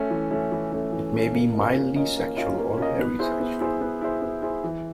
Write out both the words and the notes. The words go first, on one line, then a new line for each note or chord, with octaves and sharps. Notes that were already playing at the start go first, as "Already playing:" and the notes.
It may be mildly sexual, or very sexual.
Already playing: A3 C#4
E3
A3 C#4
E3
A3 C#4
E3
A3 C#4
A#3
C#4 F4 A#4 D#5
A#3
C#4 F4 A#4 D#5
A#3
C#4 F4 A#4 D#5
A#3
C#4 F4 A#4 D#5
B3
E4 G#4 C5
B3
E4 G#4 C5
B3
E4 G#4 C5
B3
E4 G#4 C5
E3